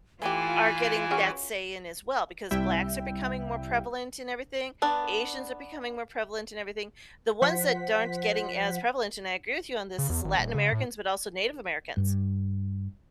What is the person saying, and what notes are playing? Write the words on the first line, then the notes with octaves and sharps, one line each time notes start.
are getting that say in as well because blacks are becoming more prevalent in everything. Asians are becoming more prevalent in everything. The ones that aren't getting as prevalent, and I agree with you on this, is Latin Americans, but also Native Americans.
E3 A3 E4 F4 G4 G#5
C#4 F#4 G#4
C2 C3 G3 E4 E5 G5
B3 D4 D5
F3 C5 F#5 B6
C#3
E2
G#1
D#1
C#3
A2
G2